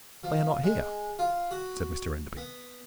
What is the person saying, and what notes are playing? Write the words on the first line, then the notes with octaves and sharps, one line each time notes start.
"They are not here!" said Mr Enderby.
F3
G#3
F4
F#4
B3